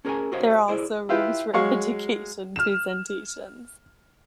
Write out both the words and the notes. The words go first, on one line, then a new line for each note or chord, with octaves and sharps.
There are also rooms for education presentations.
C#4 G#4 A#4 C5 C#5 G#5
F#4 G4 C5 C#5 D#5 F5
E4 G#4 C5 D5
E4 F4 G4 B4
F#3 G#3 F5 C#6
F6 E7